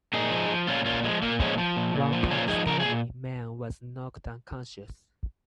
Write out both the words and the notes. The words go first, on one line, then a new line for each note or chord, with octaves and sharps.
One Pakistani man was knocked unconscious.
A#2 D#4 G#4
F3
F3
A#2 C#4 F4
A#2 C#4 F4
F3 G#3
A#2 A#3
F3 G#3 C#4
F3
A#2
A#2
F3
A#2 C#4 F4
F3 D#4 G#4
F3 A#4
G#4
A#2